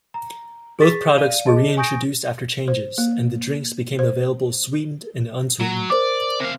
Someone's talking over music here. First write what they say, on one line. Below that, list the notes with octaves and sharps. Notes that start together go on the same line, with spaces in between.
Both products were re-introduced after changes, and the drinks became available sweetened and unsweetened.
A#5
G#4 C#6 A6 B6
D5 F5 D#7
G#4 D#5 A5
G#5 C#6 D#6 G6 A#6 D7
C5
A#3
C5
F#3
A#4 C5 D5 D6
C3 F5